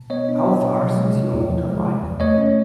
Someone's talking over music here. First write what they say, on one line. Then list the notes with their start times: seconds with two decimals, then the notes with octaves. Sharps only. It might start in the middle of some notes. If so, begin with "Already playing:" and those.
How fast is your motorbike?
Already playing: B2
0.10 B3 C#5 D#5
0.29 D4
0.45 F#3
0.63 B2
0.80 F3
0.97 G#3
1.16 C3
1.34 E2
1.50 F3
1.69 G#3
1.86 C3
2.03 E2
2.20 A3 C#5 D#5
2.38 C#4